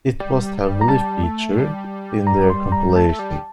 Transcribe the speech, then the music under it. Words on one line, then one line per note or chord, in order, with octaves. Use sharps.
It was heavily featured in their compilations.
G3
A#5
G3 A5
A3
G3
A#5
C6
A#5
A3 A5
A3
G3